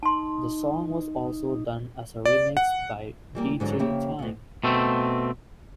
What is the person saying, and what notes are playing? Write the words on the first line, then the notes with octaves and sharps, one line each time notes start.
The song was also done as a remix by DeeJay Time.
D#4 A5 C6
D5
F#5
E3 G3 A#3
G#2 D3 F#3
F2 C#3 A#3 G4 E5
D2 B2
B2 A3 C4